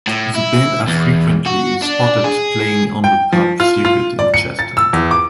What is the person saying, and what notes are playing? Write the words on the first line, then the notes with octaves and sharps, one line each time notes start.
The band are frequently spotted playing on the pub circuit in Chester.
A2
E4
E2
F#4
D4
G#4
G5
F3
F4
F4
D5
C#7
A6
E6
E2
D6